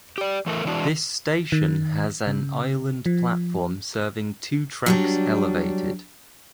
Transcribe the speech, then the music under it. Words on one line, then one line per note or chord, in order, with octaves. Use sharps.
This station has an island platform serving two tracks elevated.
G4 D5
E3 A3 A#4
E3 G#3 D4 F#4
D#3
C#3
F3
F#3 G3 D4